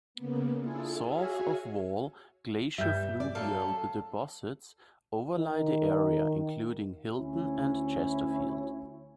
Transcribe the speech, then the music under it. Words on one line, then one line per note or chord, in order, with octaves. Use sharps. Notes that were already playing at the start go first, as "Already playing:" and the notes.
South of Wall glaciofluvial deposits overlie the area including, Hilton and Chesterfield.
C#3 A#3 B3
D4 E4 F4 G#4 A4
F#4 G#4 C#5 E5 F5 G#5
G2 G3 E5 G6
D5
F#2 A4 F5
D#3
D2 C#4 E4